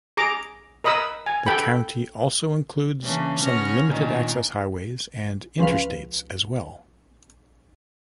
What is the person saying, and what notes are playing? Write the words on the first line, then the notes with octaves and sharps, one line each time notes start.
The county also includes some limited access highways and Interstates as well.
G#4 A#5 D6
A#4 D#5 B5 D#6 E6
G#5
A4 G5 B5
C#3 E3 A#3 C#4 D4
C#3 B3 C#4 C#5 F6 A#6
A#2 D#3 C#4 D4
C#2 F3 B4 F5